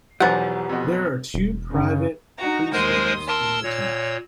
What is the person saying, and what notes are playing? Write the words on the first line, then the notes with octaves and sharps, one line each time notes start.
There are two private pre-schools in the town.
B1 E2 F3 F#3 G4 B4 F#5 G#5
F2 B2
E1
F#2 C#3
D#4 F#4 A#5
D#2 G#3 A#4 C5 C6 D#6
A#4 A5 C6 E6
A#2 C#5